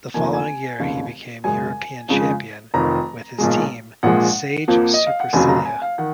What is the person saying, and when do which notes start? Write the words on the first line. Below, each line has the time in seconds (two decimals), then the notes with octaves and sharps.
The following year he became European Champion with his team "Sage Supercilia".
0.14 F1 F2 D#3 A#3 G#5
0.24 A#5
0.33 G#5
0.79 F1 D#2 C#3
1.44 F#2 C#3 G#3 G#5
2.08 F2 C#3 G#3
2.74 F1 F2 D#3 A#5
3.38 B1 A#2 G#3
4.03 A#1 A#2 F3 G#3 F#5
4.68 F2 F3 A#3
4.94 D#5
5.07 F5
5.20 F#5
5.33 F1 D#2 C#3 F#3 G#5
5.49 A#5
5.65 G#5
5.82 F5
5.98 D#3 F#5